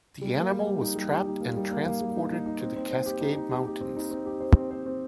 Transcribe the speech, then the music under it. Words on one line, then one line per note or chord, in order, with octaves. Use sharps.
The animal was trapped and transported to the Cascade mountains.
G3
A#3
G3
G4
D#4
G3
G4
D#4
A#3
G3
A#3
A#3
G3
D#4
D#4
D#4
C4
C4
C5
G4
D#4
D#4
G4
G4
C4
D#4
C4
G4
C5
C4
C5
C4